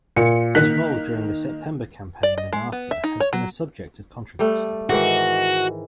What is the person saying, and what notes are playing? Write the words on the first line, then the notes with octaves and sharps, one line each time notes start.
His role during the September Campaign and after has been a subject of controversy.
A#2 C#7
D#3 A#3 F#6 B6
D5
D#5
G#3
B3
E5
D#4
C#5
F#3
G3 A3
G#2 D#3 E3 F#4